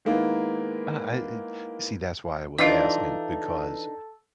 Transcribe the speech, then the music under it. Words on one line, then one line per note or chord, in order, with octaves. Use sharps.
Ah, I e see, that's why I was asking, because
D#3 G#3 A#3 B3 E4
E3 D4 D#4 F4 A4 D#5